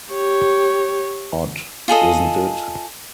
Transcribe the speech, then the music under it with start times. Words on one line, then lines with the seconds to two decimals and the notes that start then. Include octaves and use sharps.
Odd, isn't it?
0.13 G4 C#5
1.88 F4 G#4 A4 D#5